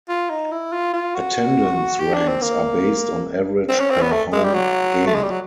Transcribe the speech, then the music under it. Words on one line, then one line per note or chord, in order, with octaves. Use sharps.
Attendance ranks are based on average per home game.
F4
D#4
E4
F4
F4
F#4
G4
D4
C4
A#3
C4
C#4
C4
B3
A3
G#3
G3
F#3
A3
G#3
G3
F#3